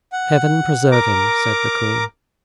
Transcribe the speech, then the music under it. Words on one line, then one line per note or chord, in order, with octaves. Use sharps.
"Heaven preserve him!" said the queen.
F#5
A#4 A#5 D6